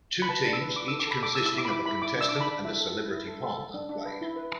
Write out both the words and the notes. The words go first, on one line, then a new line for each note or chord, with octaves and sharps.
Two teams, each consisting of a contestant and a celebrity partner, played.
B5
B4 A5
D4
E6
B4
D4 D6
A4 E6
D6
A4 B5
A4 D6
E6
E4
E6
E4 D6
B5
E4 D6
E4 B5
E4 D6
D4 E6
D4 D6
B5
D4
E4 E5
A4
E4
E4
A4
A4
A4
D4
D4
B4
E4
B4